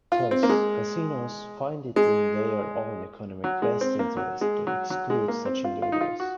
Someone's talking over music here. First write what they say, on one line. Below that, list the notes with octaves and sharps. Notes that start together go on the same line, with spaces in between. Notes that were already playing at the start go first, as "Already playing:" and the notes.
Thus, casinos find it in their own economic best interest to exclude such individuals.
F4
C4
A#3
G#3
G#3
F#3
G#3
C4
A#3
F#3
G#3
F#3
F#3
G#3
A#3
C4
F4
F4
D#4
F4
F#4